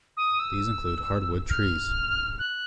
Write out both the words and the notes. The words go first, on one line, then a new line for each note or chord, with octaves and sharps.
These include hard-wood trees.
D#6
E6
F6
F#6